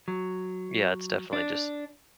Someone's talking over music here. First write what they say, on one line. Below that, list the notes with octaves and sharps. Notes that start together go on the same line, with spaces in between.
yeah, it's definitely just
F#3
D4